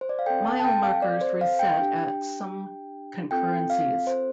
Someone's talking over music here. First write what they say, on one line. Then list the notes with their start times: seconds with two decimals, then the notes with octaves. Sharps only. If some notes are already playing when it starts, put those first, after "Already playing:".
Mile markers reset at some concurrencies.
0.01 C5
0.09 D5
0.19 F5
0.26 C4 A4 G5
0.45 A5
0.60 A5
0.65 G5
0.83 F5
1.02 D5
1.21 C5
1.41 F5
1.59 G5
1.79 D4 G4
3.31 C4 F4 A4 G5
3.70 F5
4.07 C5